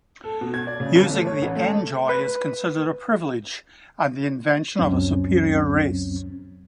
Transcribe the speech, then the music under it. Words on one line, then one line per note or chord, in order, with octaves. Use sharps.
Using the Endjoy is considered a privilege and the invention of a superior race.
A4
B2
G#6
D5
C#3
G1
A3
C#5
A1
A3
B4
C#2 F#2 F#3 C4 C#4